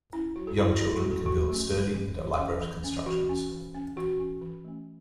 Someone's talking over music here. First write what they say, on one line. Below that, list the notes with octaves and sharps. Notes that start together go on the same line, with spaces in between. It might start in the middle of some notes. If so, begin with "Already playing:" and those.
Young children can build sturdy and elaborate constructions.
C#4 E4
F#3 F#4
A4
C#4 E4
F#4
F#3 E4
F#4
A3 C#4
A4
F#3 F#4
A3 C#4
E3
C#4
E3
C#4
E3
C#4
E3 F#4
C#4
E3
C#4
E3 F#4
C#4
E3
A3 C#4